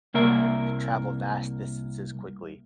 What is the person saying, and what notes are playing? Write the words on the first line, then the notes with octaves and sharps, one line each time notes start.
to travel vast distances quickly.
C2 A#3 A#4 E5